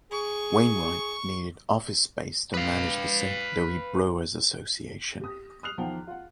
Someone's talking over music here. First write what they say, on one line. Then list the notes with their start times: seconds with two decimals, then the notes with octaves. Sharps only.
Wainwright needed office space to manage the Saint Louis Brewers Association.
0.12 G#4 C#6
2.54 B4 F5
5.21 G4 D#6
5.63 D#6 F6 F#6 C7 F7
5.78 E2 D#3 F3 F#5 G5
6.07 F4 F#5